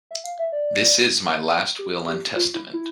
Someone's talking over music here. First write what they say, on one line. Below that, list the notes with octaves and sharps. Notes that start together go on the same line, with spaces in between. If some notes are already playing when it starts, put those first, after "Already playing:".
This is my last will and testament.
E5
F5
E5
D5
G4
G4
F4
E4
E4